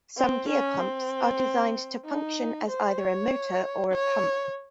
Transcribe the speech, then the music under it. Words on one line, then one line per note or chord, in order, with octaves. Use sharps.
Some gear pumps are designed to function as either a motor or a pump.
C4
C#4
C4
D#4
C5
C#5
C#5